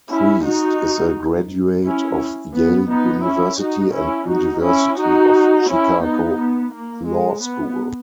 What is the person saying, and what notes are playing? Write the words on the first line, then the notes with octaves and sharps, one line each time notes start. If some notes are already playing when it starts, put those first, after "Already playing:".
Priest is a graduate of Yale University and University of Chicago Law School.
C#4 E4
D#4 F#4
C#4 E4
B3
B3 D#4
C#4 E4
D#4 F#4
C#4 E4
D#4 F#4
C#4 E4
D#4 F#4
C#4 E4
B3 D#4
B3
A#3
G#3
B3